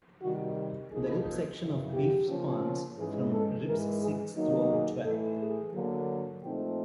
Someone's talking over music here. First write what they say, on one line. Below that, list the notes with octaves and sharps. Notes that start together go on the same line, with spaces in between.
The rib section of beef spans from ribs six through twelve.
C3 D#3 G3 F#4
G4
A#2 F3 A#3 D#4 G#4
F#2 C#3 E3
G4
C#3 F3 A#3 C#4
G#2 E3 G#3 C#4 G#4
A4
G#2 E3 G#3 A#4
G#4
D#3 F#3 A#3 D#4
G#4
A2 E3 A3 A4
G#4
D3 F#3 A#3
A#2 F3 A3 C4 D#4 G4